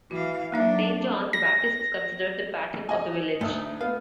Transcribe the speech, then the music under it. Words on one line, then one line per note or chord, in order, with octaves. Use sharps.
Saint John the Baptist is considered the patron of the village.
E3 F#4 F5
F#3 A#3 D4 D#4 E5
A#6
D#5 G#5
D2 A3 D#4 D#6
B3 F5